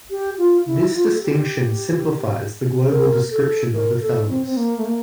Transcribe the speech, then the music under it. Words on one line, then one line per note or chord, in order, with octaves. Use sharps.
This distinction simplifies the global description of the thalamus.
G4
F4
E4
F4
A4
G4
A#4
A4
A#4
A4
C4
C4
A#3
A3
A#3